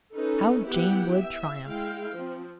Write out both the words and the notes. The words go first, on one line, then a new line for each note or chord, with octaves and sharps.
How Jane would triumph!
C#4 D#4 A4 B4
B3 E4 G4 F#5 G5
E5
G#3 E4 F5 G5
F3 C4